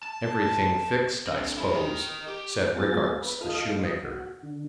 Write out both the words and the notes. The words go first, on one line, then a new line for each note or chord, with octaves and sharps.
"Everything fixed, I s'pose?" said Rickarts, the shoemaker.
A5
D3 C4
E4 C5
A#4 D#5
G4
F#3 G#3 B3 F4 G#4 A6
B4
F4 A4 D#5 F5
F4 D#5
F#4
D3